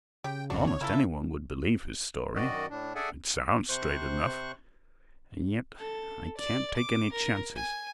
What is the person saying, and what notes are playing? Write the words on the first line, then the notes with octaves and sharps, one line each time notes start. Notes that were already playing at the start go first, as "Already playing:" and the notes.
Almost any one would believe his story--it sounds straight enough--and yet I can't take any chances.
C#3 G4 G5
A#1 F2 D4 F#4
D3 C#5
C#3 A#3 E4 A4
E5
F#2 D#3 F#4 D5 D#5
A2 D4
G#4 A4 D5 E5 F#5 G#5
C3 C5 C#6 F#6
A4
D5
D6
A#4
G#5